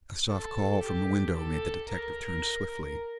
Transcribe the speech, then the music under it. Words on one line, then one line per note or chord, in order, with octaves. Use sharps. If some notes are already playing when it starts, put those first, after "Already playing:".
A soft call from the window made the detective turn swiftly.
A4
G4
A4
A#4